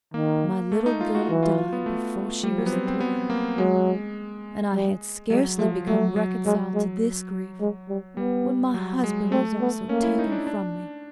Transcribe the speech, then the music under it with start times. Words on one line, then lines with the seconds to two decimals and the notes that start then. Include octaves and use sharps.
My little girl died before she was three; and I had scarcely become reconciled to this grief when my husband was also taken from me.
0.14 D#3 A#3
0.72 A3
0.86 D#4
1.01 F4
1.15 F#4
1.29 E3 F#4
1.43 F4
1.58 F4
1.73 B3
1.86 A3
2.43 F3 G3
2.58 F#3
2.66 B3
2.72 C4
2.87 C4
3.00 B3
3.30 A#3
3.58 F#3 G#3
4.74 G3
5.30 F#3 G#3
5.59 F3 A3
5.87 F#3 A3
6.16 F#3
6.46 F#3 G#3
6.74 G#3
7.60 G#3
7.89 G3
8.17 G3 B3
8.74 F#3
9.04 G#3
9.32 A3 C4
9.60 B3
9.89 A#3 C#4
10.03 E4
10.19 D#4
10.32 D4
10.47 D4